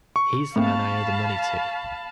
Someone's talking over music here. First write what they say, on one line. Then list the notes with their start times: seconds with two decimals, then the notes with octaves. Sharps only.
He's the man I owe the money to.
0.16 C#6
0.56 A3 A#3 C4 F5 A5 B5